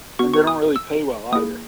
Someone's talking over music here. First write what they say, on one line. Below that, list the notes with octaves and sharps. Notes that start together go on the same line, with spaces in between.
And they don't really pay well either.
B3 F#4 C#6
C#6
D#6
E6
A#3 E4 G#4 D#6